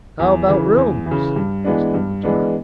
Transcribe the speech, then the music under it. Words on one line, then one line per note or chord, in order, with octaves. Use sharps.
"How about rooms?" asked Uncle John.
E2
C#3 E3
E2
E3
C#3
G2
E3 G#3 B3 D4
G2
E3 G#3 B3 D4